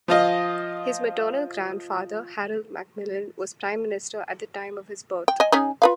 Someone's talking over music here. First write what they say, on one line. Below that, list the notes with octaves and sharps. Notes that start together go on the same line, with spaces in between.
His maternal grandfather Harold Macmillan was Prime Minister at the time of his birth.
F3 F4 D#5
G5
D#5 G#5
C#4 D#4 G#4
F4 B4 F5